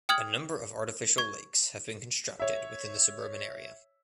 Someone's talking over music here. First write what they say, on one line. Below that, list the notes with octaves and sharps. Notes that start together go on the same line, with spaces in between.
A number of artificial lakes have been constructed within the suburban area.
G5 D#6 F6 G#6 F#7
C#6 G#6
C#5 E5